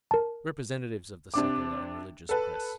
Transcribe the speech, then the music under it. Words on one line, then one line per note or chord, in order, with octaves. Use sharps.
Representatives of the secular and religious press!
A#4 A5
C3 D4 D6
A4 B4 A5